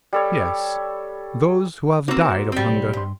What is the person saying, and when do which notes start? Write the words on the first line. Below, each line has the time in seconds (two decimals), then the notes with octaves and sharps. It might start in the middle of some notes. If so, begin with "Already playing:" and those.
"Yes; those who have died of hunger."
0.13 G3 A4 C#5
2.08 A#3 C4 D#4 F#4 C5
2.29 F#4 D5
2.52 G3 C4
2.67 B1
2.96 G2 C6